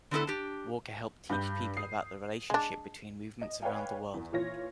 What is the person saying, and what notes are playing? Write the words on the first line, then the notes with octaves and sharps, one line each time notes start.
Walker helped teach people about the relationship between movements around the world.
D3 A3 B3 D#4 E4 A4
D4 G4
G2 G6
D#6 C7
G#3 D4
D#5
B4 C#5 D5 F5 G5 G#5
E2
A#2 E3 F4 C#5 A#6